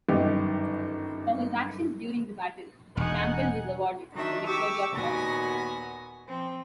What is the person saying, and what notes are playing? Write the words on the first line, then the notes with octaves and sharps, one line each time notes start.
For his actions during the battle, Campbell was awarded the Victoria Cross.
G1 F#2 D#3 G4
E1 D#4 F#5 G#5
D#3 F#3 D4 D#4 E5
G4 C#6 D6 E6
D#2 A#2 B3 F#4 G#5 A#6
F3 C4